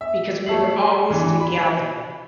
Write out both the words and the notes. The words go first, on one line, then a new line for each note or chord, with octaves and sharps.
because we were always together.
E5
A3 C#5 E5 A5 C7 F#7
E3 D4
B5